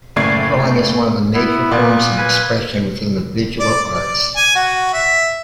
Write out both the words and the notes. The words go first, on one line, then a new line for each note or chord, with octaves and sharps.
Drawing is one of the major forms of expression within the visual arts.
F#1 A2 D5 C#6 G#6 C7
B3 E4
A#2 B3 D5
B4 G#5
D5
D5
G#5
F#4
E5